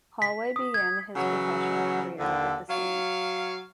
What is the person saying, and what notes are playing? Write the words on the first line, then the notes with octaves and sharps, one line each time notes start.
Holway began his professional career with the St.
B6
D#6
G#6
C#3 E3 F#3
D#2 D3
F#3 C#5 F5